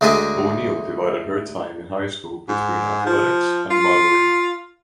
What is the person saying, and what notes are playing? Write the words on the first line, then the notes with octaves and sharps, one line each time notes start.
O'Neil divided her time in high-school between athletics and modeling.
D2 G#3 D4 E5 G#5
G#2
F3
F4